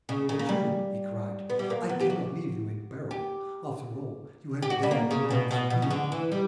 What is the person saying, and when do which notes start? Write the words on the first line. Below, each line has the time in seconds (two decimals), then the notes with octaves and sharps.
"But you?" he cried; "I cannot leave you in peril, after all you have dared and done for me."
0.09 C#3
0.29 C#3
0.39 A#3
0.49 G3
1.50 B3
1.59 G3
1.70 A#3
1.89 B3
2.00 G4
2.10 F#4
3.11 G4
4.62 G4
4.70 F#4
4.83 G3
4.91 A#3
5.11 C#3
5.31 B2
5.51 B2
5.70 B2
5.82 C#3
5.90 D3
6.12 E3
6.32 G3